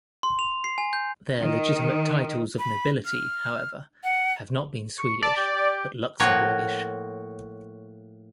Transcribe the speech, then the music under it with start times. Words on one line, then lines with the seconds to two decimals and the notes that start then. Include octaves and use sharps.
Their legitimate titles of nobility, however, have not been Swedish but Luxembourgish.
0.23 C6
0.39 F7
0.64 C7
0.78 G#5
0.93 G6
1.40 D#3
2.59 B5
3.06 F6
4.04 F#5
4.99 C#6
5.23 D5 A5
5.37 G4
5.55 G4
6.20 A2 F3 A#3 F#4 C#5